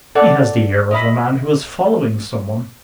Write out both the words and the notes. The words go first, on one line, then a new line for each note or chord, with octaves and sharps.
"He has the air of a man who is following some one."
A4 D5 F#5
D#5 E5 B5